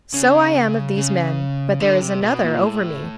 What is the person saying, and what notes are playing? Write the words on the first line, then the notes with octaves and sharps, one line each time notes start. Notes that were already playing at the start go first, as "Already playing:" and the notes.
"So I am of these men; but there is another over me."
C#3
C#3
D3
C3
B2
A#2
A2